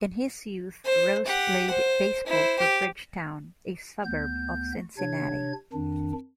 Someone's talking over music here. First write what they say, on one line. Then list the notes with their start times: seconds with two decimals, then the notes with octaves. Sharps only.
In his youth, Rose played baseball for Bridgetown, a suburb of Cincinnati.
0.85 C5
1.26 G4 F#5
1.70 C5
2.26 E4 C5
2.59 G4
4.04 D2 B3 G6
4.98 C3 D4 C#5 G#6
5.73 F2 D#3 D4